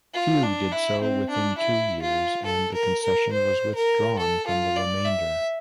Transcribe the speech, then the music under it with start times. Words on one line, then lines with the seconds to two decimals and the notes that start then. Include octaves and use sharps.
Few did so within two years and the concession was withdrawn from the remainder.
0.14 F4
0.43 D4
0.72 E4
1.01 C4
1.29 D4
1.58 E4
2.02 F4
2.46 A4
2.73 A#4
3.02 A#4
3.32 C5
3.75 A#4
4.19 A4
4.47 F4
4.76 D5
5.04 E5